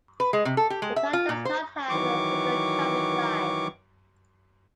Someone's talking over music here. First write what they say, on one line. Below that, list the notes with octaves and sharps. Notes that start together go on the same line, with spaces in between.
The town does not have a single traffic light.
B4
G#3
C3
A4
G4
G#3
E5
F4
A#2
C5
D#3 E3 F#3 C#6 D6